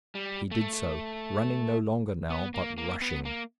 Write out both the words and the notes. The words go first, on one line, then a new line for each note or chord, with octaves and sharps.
He did so, running no longer now, but rushing.
G3
A3
B3
A#3
A#3
B3
A#3